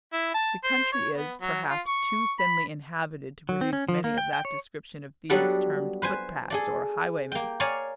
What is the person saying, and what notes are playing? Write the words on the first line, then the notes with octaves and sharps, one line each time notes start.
The country is, perhaps, too thinly inhabited to produce many of that description of thieves termed footpads, or highwaymen.
E4
A5
C5
C#5
B3
F#3
F4
C#6
B5
F#3
C4
C#4
F3
A#3
G5
G5
C#5
F#3 G3 B3 D4 A4 F#5
B4 C5 G#5
G#4 A4 D5
A#3 G5
C#5 D5 F5 G#5 A#5